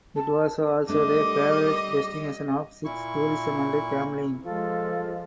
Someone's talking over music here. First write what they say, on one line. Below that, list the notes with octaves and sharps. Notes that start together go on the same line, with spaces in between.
It was also the favorite destination of sex tourism and gambling.
A5
G3 A3 D4 D#5 D6
A#2 E4 C#6
F3 G#3 F4 A4